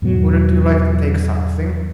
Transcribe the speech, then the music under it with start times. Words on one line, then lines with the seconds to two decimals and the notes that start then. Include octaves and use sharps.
"Wouldn't you like to take something?"
0.02 E2 G#2 B2 F#3